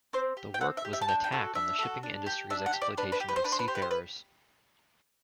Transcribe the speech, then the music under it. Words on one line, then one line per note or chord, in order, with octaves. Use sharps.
The work was an attack on the shipping industry's exploitation of seafarers.
C4 C5
G4
G5
C4 F#5
E5
G4
E5
A5
D4 G5
G5
F#4 A4
D4 E5
F#4 A4
D4
G4
D4 E5
F#5
G4
D5
D4 B4
B4
G4
B4
C5
D4 B4
C5
B4
G4 C5
B4
C5
B4